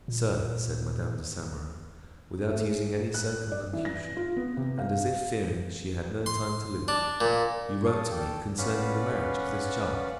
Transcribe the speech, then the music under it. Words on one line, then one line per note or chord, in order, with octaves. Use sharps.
"Sir," said Madame de Saint-Meran, without using any circumlocution, and as if fearing she had no time to lose, "you wrote to me concerning the marriage of this child?"
A#2
A3
G#4
F#6
D5
E3
A#6
F4
B3
C3
F5
C6
D4
A#2
C#5 F5 A5 D#6
A4 D5 G5
C#4 B4 D5 F5 F#5 B5